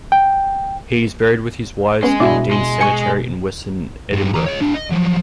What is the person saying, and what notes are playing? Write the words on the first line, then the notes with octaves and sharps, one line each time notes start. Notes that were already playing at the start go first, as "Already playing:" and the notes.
He is buried with his wives in Dean Cemetery in western Edinburgh.
G5
G#3 B3 C#4
B2 D4 E4 F#4 D5
G#3
G#5 C#6 C#7
G2 G#3
E3 A#5
C#5 D#5
A2 D4
D#5
F3 F#3